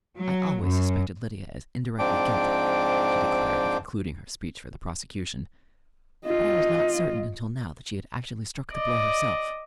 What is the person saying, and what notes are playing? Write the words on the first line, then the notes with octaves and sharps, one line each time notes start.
"I always suspected Lydia as indirectly guilty," she declared in concluding her speech for the prosecution, "but I was not certain until now that she had actually struck the blow herself."
F#3
F#2
G#2 F3 C4 D4 G5 D6
F4 D#5
D5 D#5